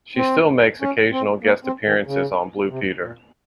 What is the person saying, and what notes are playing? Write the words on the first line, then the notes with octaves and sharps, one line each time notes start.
She still makes occasional guest appearances on "Blue Peter".
C4
C#4
C4
A#3
C4
D#3
C#3
C3
A#2